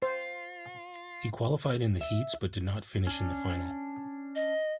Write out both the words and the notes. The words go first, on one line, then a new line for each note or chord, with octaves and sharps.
He qualified in the heats but did not finish in the final.
F4 C5
E5
C#4 D4
D#5